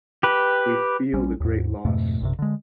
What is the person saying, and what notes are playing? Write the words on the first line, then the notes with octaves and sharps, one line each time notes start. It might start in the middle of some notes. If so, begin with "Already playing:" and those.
We feel the great loss.
G4 B4
A#1 G3 C#4
D#2 G#2
F2 G#2 B2 A3
A#1 F#2 C3
D3 G#3